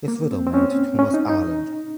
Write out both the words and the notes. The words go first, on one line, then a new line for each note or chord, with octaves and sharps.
His widow married Thomas Ireland.
A#3
C4
C4
C#4
C#4
D#4
D#4